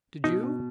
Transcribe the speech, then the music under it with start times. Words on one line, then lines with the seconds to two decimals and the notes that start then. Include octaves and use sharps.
Did you?
0.24 B2 D#4
0.43 B2